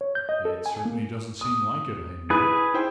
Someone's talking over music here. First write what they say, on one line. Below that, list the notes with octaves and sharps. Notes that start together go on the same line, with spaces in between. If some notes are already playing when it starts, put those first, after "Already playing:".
"It certainly doesn't seem like it," I admitted.
C#5
G6
D#5
A4
G#5
A#3
D#6
E4 G#4 B4
E4 C5 G5